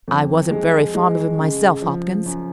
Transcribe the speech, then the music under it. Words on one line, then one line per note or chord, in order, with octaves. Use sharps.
"I wasn't very fond of him myself, Hopkins."
F2
G#3
G#3
C#3
F3
F#2